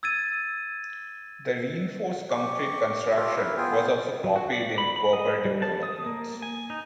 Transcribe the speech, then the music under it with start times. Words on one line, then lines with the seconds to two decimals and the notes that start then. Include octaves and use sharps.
The reinforced concrete construction was also copied in cooperative developments.
0.03 E6 G#6 A6 D#7
2.30 G4 C#6
3.16 F4 G4 A4 C#5 D5 F5
3.36 E4 A#4 E5
3.57 B3 F4 G#4 G5 G#5
4.24 F#3
4.36 F#4
4.52 D5
4.78 B5
4.96 B5
5.13 D#5
5.45 G3
5.62 A5
5.83 D#6
6.06 A#3
6.42 G#5
6.70 D#4